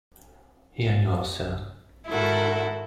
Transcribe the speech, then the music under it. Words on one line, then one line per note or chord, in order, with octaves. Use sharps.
Here you are, sir.
G#2 D#3 E4 F#4 A4